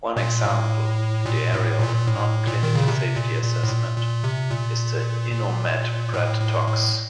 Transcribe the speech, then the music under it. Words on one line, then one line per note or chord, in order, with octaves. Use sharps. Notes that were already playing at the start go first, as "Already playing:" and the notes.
One example in the area of non-clinical safety assessment is the InnoMed PredTox.
A#2
A2
A#2
A2
A#2
A#2
A2
A#2
D#3
C#3
C3
A#2
A#2
A2
A#2
A#2
C3
A#2
A#2
A2
A2
A2